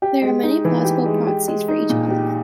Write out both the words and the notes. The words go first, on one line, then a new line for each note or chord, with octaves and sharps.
There are many plausible proxies for each element.
G4
G#3
D#4
E3
G4
G#3
G4
G#3
D#4
A#2
G4